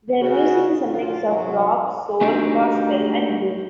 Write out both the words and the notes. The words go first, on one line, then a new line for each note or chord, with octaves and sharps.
Their music is a mix of rock, soul, gospel and blues.
C#3 F#4
F#2 A#2 D3 F4
E2 G#2 C3 F#3
A3 D4 D#4 F#4 G4